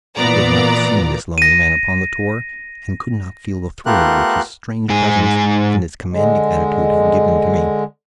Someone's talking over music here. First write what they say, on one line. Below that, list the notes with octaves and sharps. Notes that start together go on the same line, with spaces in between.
He had not seen this lonely man upon the tor and could not feel the thrill which his strange presence and his commanding attitude had given to me.
A#2 E3 B3 D5 A#5
A#6 D#7
A3 B3 F4 G4 A#4 F#6
G#2 G#4
D3 G#3